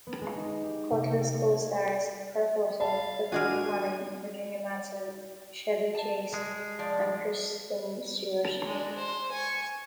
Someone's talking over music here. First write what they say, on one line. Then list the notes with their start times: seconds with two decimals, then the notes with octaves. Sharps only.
"Cutlass" co-stars Kurt Russell, Dakota Fanning, Virginia Madsen, Chevy Chase and Kristen Stewart.
0.07 B3
0.21 G#3
0.37 D#4
0.63 G4
0.91 C3
1.09 G5
1.35 C#6
1.52 G#6
2.80 F5 A5 B5
3.32 D4 F#4 G#4 A#4 G#5
5.95 A5
6.34 G#3
6.79 F3 D5
8.65 G#3 D4
8.96 C5
9.32 G#5 C#6